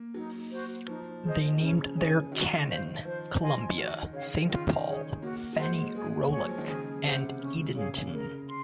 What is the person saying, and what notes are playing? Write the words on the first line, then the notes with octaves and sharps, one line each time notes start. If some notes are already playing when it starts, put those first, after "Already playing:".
They named their cannon: "Columbia", "Saint Paul", "Fannie Roulac", and "Edenton".
Already playing: A#3
F#3 D#4
F#4 C5
F3 D#4
G#4 C5 D#5
C#3 C#4
G#4 C#5 G#5
D#3 F#4
C5 F5
F3 C5
D#5 G#5 C6
D#3 F#4
C#3 C#5 F5
D#3
C#3
D#3 F4
G#4 C#5
A#3 F#4
F#3
G#3 C5 F#5 C6
G#3 G#4
G#3 C#5 G#5 C#6
F#3
F3
D#3
C#3 G#4
C3 C5 F#5
C#3 C#4
G#4 C#5 F5
C#3 A#4
C6